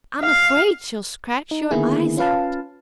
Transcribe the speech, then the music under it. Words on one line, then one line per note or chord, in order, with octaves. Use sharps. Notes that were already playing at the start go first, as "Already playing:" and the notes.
"I'm afraid she'll scratch your eyes out."
F5
D#4
D3 D#3 A#3 B3 E4 G#4
C#4 F4 B4 F5 A5